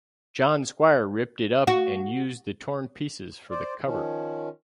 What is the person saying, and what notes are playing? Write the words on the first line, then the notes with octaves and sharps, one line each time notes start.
John Squire ripped it up and used the torn pieces for the cover.
F#4
C5 D5
D#3 F3 C#4